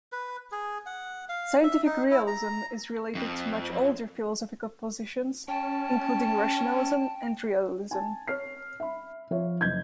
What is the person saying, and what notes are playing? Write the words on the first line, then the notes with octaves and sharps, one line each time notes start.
Scientific realism is related to much older philosophical positions including rationalism and realism.
B4
G#4
F#5
F5
E5
D#4
E4
A#5
F2
C#4 G5 A5
G#5 A5
C#5 F6 C7
E5 B5
F3 C#5 E5
F#1 D#5 G6 G#6